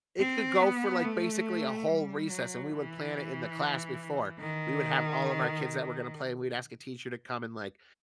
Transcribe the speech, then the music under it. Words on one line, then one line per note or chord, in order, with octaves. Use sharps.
it could go for, like, basically a whole recess, and we would plan it in the class before. We would have all of our kids that were gonna play and we'd ask a teacher to come and, like,
C4
B3
A3
G3
F#3
E3
D#3